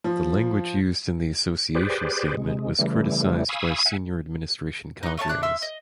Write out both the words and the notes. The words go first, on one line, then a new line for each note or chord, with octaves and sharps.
The language used in the association statement was criticised by senior administration cadres.
F3
G4 G#4 B4 C5 D5
C3 G#3
C#3 E3 G3 A3
F5 G#5 B5 C#6 D#6 E6
E5 F#5 G#5
D#4 B4
A3 C#5 F5 A5
D4 D5 F#6
E5 C6 E6 F6
D#5